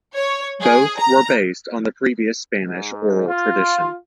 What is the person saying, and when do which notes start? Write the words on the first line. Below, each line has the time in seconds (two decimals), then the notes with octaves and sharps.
Both were based on the previous Spanish oral tradition.
0.15 C#5
0.60 G#4
0.99 A#5
2.66 G#2
3.28 F4